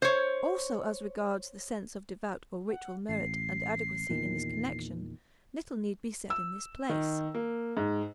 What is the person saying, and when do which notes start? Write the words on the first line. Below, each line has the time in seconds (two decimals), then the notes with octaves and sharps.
Also as regards the sense of devout or ritual merit and adequacy in this connection, little need be said in this place.
0.02 C5 C#5
2.70 F#5
3.09 A1 C7
4.09 E2 A#2 D#3
6.30 E6
6.89 D#3
7.35 A#3
7.77 G#2